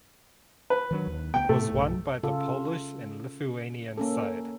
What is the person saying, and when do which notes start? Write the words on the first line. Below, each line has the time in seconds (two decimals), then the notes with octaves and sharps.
It was won by the Polish and Lithuanian side.
0.70 B4
0.91 D#3 F#3 D4
1.07 D#2
1.34 D2 A3 B3 G5
1.49 A2 C3 A3 B3
1.72 B1 G2
2.23 C#3 F4 A4
3.98 A#3 C#4 A4